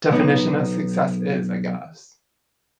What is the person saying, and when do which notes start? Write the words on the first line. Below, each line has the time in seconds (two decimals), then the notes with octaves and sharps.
definition of success is, I guess.
0.11 B1 B3 D#4